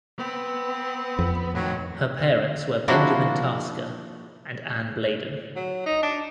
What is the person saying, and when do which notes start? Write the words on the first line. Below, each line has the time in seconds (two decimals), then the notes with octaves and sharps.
Her parents were Benjamin Tasker and Ann Bladen.
0.19 B3 C4
1.19 F2
1.55 A2 D#3 F#3
2.88 F3 A#3 D4 E4 F#4
5.56 F#3
5.86 D#4
6.03 D4